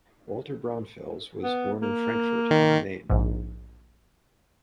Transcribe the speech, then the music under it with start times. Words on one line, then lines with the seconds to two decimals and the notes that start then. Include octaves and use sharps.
Walter Braunfels was born in Frankfurt am Main.
1.43 B3
1.82 A#3
2.51 D#3
3.10 A#1 G#2